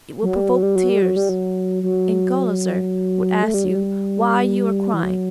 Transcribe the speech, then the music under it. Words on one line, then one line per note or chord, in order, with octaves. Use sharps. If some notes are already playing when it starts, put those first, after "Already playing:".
It will provoke tears, and Gulizar will ask you why you are crying.
F#3
G3
F#3
G3
F#3
G3
F#3
G3
F#3
F#3
A3
G3
F#3
G3
E3
F#3